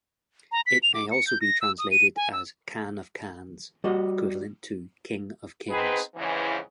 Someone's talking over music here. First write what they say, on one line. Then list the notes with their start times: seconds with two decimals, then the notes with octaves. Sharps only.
It may also be translated as Khan of Khans, equivalent to King of Kings.
0.52 A#5
0.66 B6
0.83 F7
0.94 D6
1.11 C#7
1.27 G6
1.41 A#6
1.61 E6
1.79 D#6
1.91 D#7
2.17 G#5
2.33 E6
3.84 G3 F#4 D#5
5.69 B3 C4 D#4 G#4 B4
6.15 F2 G#2 C#3 E3